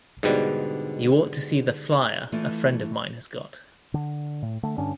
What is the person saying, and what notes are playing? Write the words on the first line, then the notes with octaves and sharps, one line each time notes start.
You ought to see the flier a friend of mine has got.
G#2 B2 D3 G3 D4 D#5
E3 A3 F4
D3
A2
D3 A3
G2 D3 C#4 D4